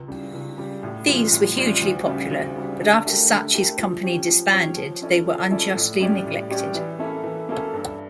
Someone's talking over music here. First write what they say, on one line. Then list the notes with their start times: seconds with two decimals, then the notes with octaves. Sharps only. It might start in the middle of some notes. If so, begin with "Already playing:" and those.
These were hugely popular, but after Sacchi's company disbanded, they were unjustly neglected.
Already playing: C#2
0.08 C#3 G3
0.33 C#2
0.58 C#3 G3
0.83 A2
1.06 E3 G3 C#4 F4
1.32 A2
1.56 E3 G3 C#4 F4
1.82 D2
2.06 C#3 G3
2.30 D2
2.56 C#3 G3
2.79 D3
3.05 A3 E4 G4 A#4
3.30 D3
3.54 A3 E4 G4 A#4
3.79 F3
4.03 C#4 G4 C#5
4.27 F3
4.52 C#4 G4 C#5
4.77 F3
5.02 C#4 E4 A4 D5
5.27 F3
5.51 C#4 E4 A4 D5
5.76 A2
6.00 G3 C#4 G4 D5
6.26 A2
6.50 G3 C#4 G4 D5
6.75 E3
6.99 A#3 C#4 E4 A4
7.23 E3
7.49 A#3 C#4 E4 A4
7.73 G2